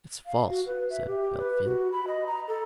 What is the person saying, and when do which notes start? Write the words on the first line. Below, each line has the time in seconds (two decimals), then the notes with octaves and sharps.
"It's false," said Bellfield.
0.26 F5
0.49 F#4
0.66 B4
0.90 E5
1.07 G4
1.39 B4
1.65 F#4
1.92 B5
2.07 D#5
2.27 A#5
2.48 A4